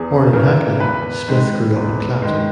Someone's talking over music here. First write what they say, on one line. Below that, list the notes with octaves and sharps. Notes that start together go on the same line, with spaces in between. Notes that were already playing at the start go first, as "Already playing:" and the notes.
Born in Hackney, Smith grew up in Clapton.
Already playing: E2 G#4
C#3 E3 A#4
E2 B4
D#3 G#3
E2
D#3 G#3